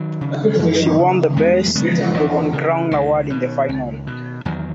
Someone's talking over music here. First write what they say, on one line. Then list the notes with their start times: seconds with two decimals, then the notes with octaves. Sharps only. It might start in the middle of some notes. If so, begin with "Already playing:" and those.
She won the "best on ground" award in the final.
Already playing: D#3 F#3
0.21 C#3
0.59 F#2
0.98 C#3
1.36 E2 G#3 B3
1.66 A3
1.75 C#3 G#3 B3
2.14 E2 E3
2.53 C#3
2.91 C#2 D#3
3.30 B2
3.69 C#2
4.07 B2
4.45 E2 D#3 F#3